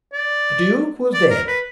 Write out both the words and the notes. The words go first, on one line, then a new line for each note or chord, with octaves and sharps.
The Duke was dead.
D5
D5
A#4
B4